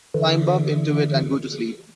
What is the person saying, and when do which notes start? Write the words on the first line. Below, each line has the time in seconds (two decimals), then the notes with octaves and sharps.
Climb up into it and go to sleep.
0.14 D3 E3